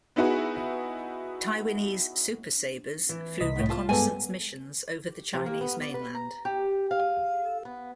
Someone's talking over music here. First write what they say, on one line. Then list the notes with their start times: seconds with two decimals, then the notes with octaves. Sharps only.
Taiwanese Super Sabres flew reconnaissance missions over the Chinese mainland.
0.16 B3 D#4 E4 F#4 G#4 B4
3.09 E3
3.40 C2 D#5 B6
3.56 A2 B3
3.69 F4 F5 A5
3.89 G2 G#3 B3 A4 G#5
5.33 C3
5.46 A#3
5.61 B3
5.82 D5
5.94 B4
6.15 A#5
6.45 G4
6.91 F5
7.65 B3